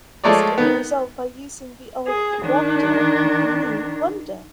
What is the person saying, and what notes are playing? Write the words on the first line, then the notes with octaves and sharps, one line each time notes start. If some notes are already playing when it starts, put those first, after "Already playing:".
This could be resolved by using the old "wander" with the new "wunder".
F3 G#3 A3 C#5 D5
D#3 B3
G#4
D#3 D4